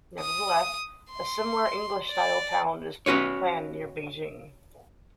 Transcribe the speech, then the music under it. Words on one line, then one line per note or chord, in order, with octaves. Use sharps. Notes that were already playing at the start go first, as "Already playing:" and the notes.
Nevertheless, a similar English-style town is planned near Beijing.
D#6
C6
D5
C#4 F#4 B4 C#5